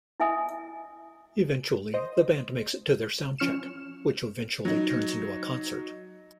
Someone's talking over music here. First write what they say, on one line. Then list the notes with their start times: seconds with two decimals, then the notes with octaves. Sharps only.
Eventually, the band makes it to their soundcheck which eventually turns into a concert.
0.20 E4 D#5 E5 G#5 D#6
1.94 C5 D#5
3.38 F3 C#4 F6 C#7 E7
4.65 F#3 D#4